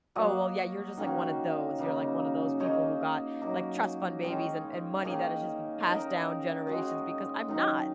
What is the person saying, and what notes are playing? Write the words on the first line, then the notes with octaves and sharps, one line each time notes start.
"Oh well, yeah, you're just like one of those, you're, like, one of those people who got, like trust fund babies and and money that has just been passed down generations.", because I'm not.
F#3 A#3 F#4 D#5
D#3 A#3 C#4 F#4
C#3 A#3 D#4
A#3 D#4 G#4 C#5
F#3 A#3 D#4
D#3 G#3 C#4
D#3 A#3 C#4 G#4
A#3 D#4 A#4 D#5
G#3 F#4 D#5
D#3 F#3 D#4